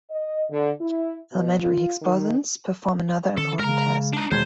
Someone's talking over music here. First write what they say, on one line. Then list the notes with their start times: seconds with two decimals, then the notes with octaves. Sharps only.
Elementary Higgs bosons perform another important task.
0.11 D#5
0.50 D3
0.80 E4
1.32 B2
1.61 F4
2.02 D#3
3.37 D3 E3 C#4 A4
3.59 C#3 G#3 A#4 A#5 F6
4.13 D4 D#4
4.32 E1 D#3 E3 C5 G#6